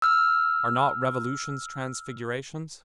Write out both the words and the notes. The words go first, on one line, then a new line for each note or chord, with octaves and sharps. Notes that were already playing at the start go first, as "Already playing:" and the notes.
Are not revolutions transfigurations?
E6 F6